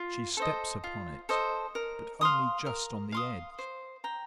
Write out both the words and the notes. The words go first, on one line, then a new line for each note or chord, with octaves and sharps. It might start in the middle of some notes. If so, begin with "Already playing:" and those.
She steps upon it, but only just on the edge.
Already playing: F4
A4 C5 D#5
F4
A4 C5 D#5
A#4
F5 C6 D#6
A#4
F5 C6 D#6
C5
G5 A#5